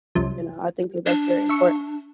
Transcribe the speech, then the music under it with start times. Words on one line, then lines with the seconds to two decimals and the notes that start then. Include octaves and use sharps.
You know, I think that that's very important.
0.15 C2 F#2 F3
1.06 D4
1.49 E5 C#6